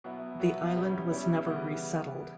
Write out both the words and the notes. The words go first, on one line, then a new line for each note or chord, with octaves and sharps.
The island was never resettled.
B2 F#3 B3 E4
B2 F#3 B3 E4
B2 G3 C#4 E4
B2 G3 C#4 E4
C#3 E3 G3 B3